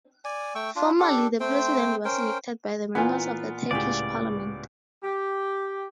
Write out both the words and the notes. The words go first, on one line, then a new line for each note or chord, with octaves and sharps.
Formerly, the President was elected by the members of the Turkish Parliament.
D5 G#5
A3 G5 C#6 E6
D4 F4
D4 G4 A4
A3 C4 C5 G5
C#4 A#4 C5 G5
A#2 E3 B3 F4 G#5
C#2 A2 G4 G#4 D5 D#6
G4